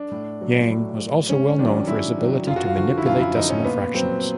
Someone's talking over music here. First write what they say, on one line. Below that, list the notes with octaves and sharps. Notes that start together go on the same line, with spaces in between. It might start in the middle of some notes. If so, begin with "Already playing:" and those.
Yang was also well known for his ability to manipulate decimal fractions.
Already playing: D4
A2
F#3
A2
F#3
G#2 C#4
D#3 F#3 D4
G#2 E4
D#3 F#3
F#2 F4
F#4
F4
D3 F3 F#4
E4
F#2 F4
E4
D3 F3 D#4
C#4
A#2 B3
F#3 C4